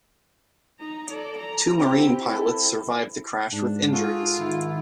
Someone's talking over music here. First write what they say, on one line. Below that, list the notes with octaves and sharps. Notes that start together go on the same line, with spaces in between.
Two Marine pilots survived the crash with injuries.
D#4 A#5
A4 D5
A#5
C4 E4 G4
E4 A4
G#2 D4
F4 F#4 G#4 A4
G#2 D#3 E4